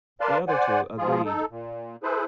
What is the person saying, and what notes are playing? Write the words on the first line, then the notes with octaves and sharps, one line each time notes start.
The other two agreed.
A#4 B4 D5 F5 A5 C6
C5 D5 F#5 G#5
G#2 F3 F4 G#4
D#4 A4
A#2
E4 G#4 A4 B4 C5